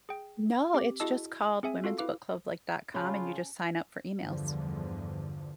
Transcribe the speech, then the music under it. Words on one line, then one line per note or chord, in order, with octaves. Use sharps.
no, it's just called women's book club, like, .com and you just sign up for emails,
G#4 G5
C4 G4 D6
E4 F#4 G#4 D#5 A5 E6
C4 G#4 E5 G#5
F4 F#4 A4 F5
E4 B4 F5 D6
C#3 C#4 F4 F#4 G#5 A5 B5
E2 G2 D3 F3